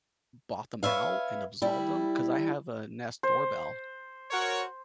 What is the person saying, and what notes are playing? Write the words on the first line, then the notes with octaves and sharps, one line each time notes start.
bought them out and absolved 'em, 'cause I have a Nest doorbell,
B4 C#5 E5 F5
G3 E4
C5
F#4 A#4 C#5